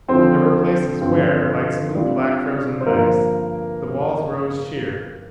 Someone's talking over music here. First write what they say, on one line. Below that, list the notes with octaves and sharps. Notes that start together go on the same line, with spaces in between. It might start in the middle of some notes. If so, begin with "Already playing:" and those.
There were places where, like smooth black frozen ice, the walls rose sheer.
F2 D3 F3 C4 C5
G2 D3 F3 C4
C3 G3 D4 F4
C5
G2 D3 F3 A#3 A#4